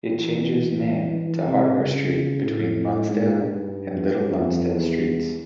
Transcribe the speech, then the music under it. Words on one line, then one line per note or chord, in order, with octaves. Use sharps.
It changes name to Hardware Street between Lonsdale and Little Lonsdale Streets.
E3
C3
C#3
A2
G#2
G2
F2
E2